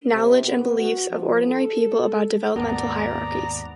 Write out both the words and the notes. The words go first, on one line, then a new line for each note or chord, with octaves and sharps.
Knowledge and Beliefs of Ordinary People about Developmental Hierarchies.
C3
B3
F#4
F3
A4
D#2 G#2 A#3 B3 D4 D5 A#5